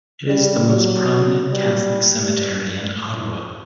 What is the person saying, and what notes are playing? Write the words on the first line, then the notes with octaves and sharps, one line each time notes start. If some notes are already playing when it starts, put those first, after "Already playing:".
It is the most prominent Catholic cemetery in Ottawa.
G3
F#3
G3